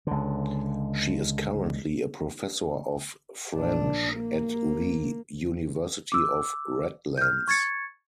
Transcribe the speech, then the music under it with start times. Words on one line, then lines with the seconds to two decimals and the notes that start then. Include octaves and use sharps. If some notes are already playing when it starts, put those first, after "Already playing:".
She is currently a professor of French at the University of Redlands.
0.07 C#2 D3
3.55 A#1 D4
4.13 A#3
6.12 D6 E6
7.17 F6 G6
7.48 C#6 G#6 A6 C#7